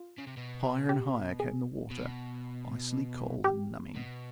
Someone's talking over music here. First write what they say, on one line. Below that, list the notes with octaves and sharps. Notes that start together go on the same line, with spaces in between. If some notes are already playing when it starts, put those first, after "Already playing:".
Higher and higher came the water, icily cold and numbing.
Already playing: F4
C#3
C3
B2
G4
G#4
B2
G4
B2